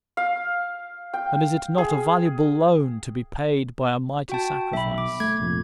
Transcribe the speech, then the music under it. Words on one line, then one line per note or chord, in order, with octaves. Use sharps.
And is it not a valuable loan to be paid by a mighty sacrifice?
F5
G5
G#4
F#4 G5 A5
B1 E5 B5
D6
A3 G#6
F1 A#1 F2